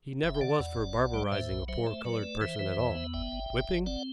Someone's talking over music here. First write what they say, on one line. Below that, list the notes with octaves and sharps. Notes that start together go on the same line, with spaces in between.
He "never was for barbarizing a poor colored person at all." Whipping?
F#1 E5 G5
G5
D3 D5 F#5
E2
F#1
B1
G3
A2 C5 E5
B1
F#3 C5 E5
A3
F#3 B4 D5
A3
E3 C5 E5
E3
E2
B3
G1 E5 G5
G1
G1
G1
C4 D5 F#5